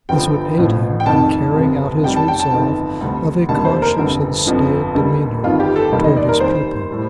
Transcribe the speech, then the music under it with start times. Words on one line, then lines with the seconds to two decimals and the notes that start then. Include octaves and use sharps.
This would aid him in carrying out his resolve of a cautious and staid demeanor toward his pupil.
0.09 G1 G2 D3 F3 G5
0.58 A1 A2 F3
1.00 G5
1.06 F1 F2 D#3 A5
1.55 G1 F2 C3
2.03 F1 F2 D#3 G3 G5
2.16 A5
2.28 G5
2.40 A5
2.52 G1 F2 D#3
3.01 D2 C3 G3
3.49 F1 D#2 D3 G3 A5
3.65 C5
3.82 A#4
3.97 G1 F2 D3 G3
4.47 G1 F2 D3 F3
4.95 D#2 D3 G3
5.43 G1 F2 D#3 G3 F4
5.60 G4
5.76 A4
5.92 F1 D#2 D#3 G3
6.04 D#5
6.17 D5
6.29 A#4
6.40 D#2 D#3 G3 C5
6.90 A2 G3